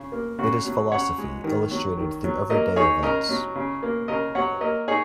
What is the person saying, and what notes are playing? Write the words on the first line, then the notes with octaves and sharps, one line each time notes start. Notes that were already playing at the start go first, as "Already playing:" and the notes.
It is philosophy, illustrated through everyday events.
Already playing: C#3
A#3
C#3 F#4
F#3
C#3 C#5 F#5
G#3
D#3
F#3
D#3
F#3
A#3 A#4 D#5
D#4 G#4 C#5
C#3 A#4 D#5
F#3
C#3
A#3
C#3 A#4 D#5
F#3 C#5 F#5
A#3 A#4 D#5
D#4 G#4 C#5